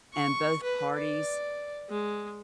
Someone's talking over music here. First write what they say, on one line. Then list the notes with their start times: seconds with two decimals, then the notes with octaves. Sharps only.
and both parties
0.14 C#6
0.63 B4
0.94 D5
1.89 G#3